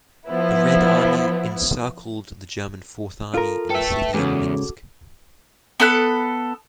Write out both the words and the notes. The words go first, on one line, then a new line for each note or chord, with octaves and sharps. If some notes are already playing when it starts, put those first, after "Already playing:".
The Red Army encircled the German Fourth Army in the city of Minsk.
F3 B3 E4
F4 A4 A#4
A4 B4 E5 G5
E2 G#2 C#3 F#4 A4 D6
B3 A4 B5 F#6